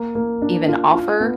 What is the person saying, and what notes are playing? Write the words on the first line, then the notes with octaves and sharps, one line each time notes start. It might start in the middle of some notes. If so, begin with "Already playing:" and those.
even offer
Already playing: A#3
A#3
D4
F4
F4
B3